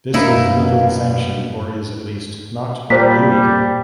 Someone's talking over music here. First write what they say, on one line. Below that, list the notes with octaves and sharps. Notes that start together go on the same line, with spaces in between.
This is legally sanctioned or is, at least, not illegal.
F#2 B2 A#3 D#4 E4 F5
A#2 G3 C5 B6